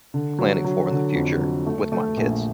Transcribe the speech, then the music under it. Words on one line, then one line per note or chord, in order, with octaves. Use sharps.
planning for in the future, with my kids.
D3
F#3
F#3
D3
F2
F#3
A3
A3
A#1